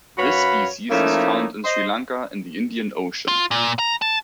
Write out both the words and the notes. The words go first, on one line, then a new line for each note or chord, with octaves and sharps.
This species is found in Sri Lanka, in the Indian Ocean.
F#2 F#4 B4 C#5 F5 B5
F3 A3 A#3 C#4 D#4 E4
C5 D#5
F4
A#2
A#5
A5